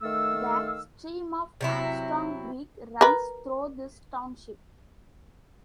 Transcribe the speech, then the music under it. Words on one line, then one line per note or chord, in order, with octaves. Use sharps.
The stream of Armstrong Creek runs through this township.
D#3 A3 A4 F5 E6
C3 F#3 E4
A#4 B4